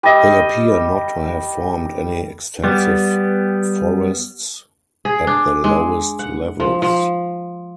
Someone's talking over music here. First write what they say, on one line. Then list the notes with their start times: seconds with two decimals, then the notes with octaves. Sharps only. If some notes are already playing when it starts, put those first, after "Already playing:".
They appear not to have formed any extensive forests at the lowest levels.
0.03 G3 D#5
2.64 G3 B3
5.05 G#4
5.27 D4
5.64 G#3
6.19 F#5
6.60 F3
6.82 F3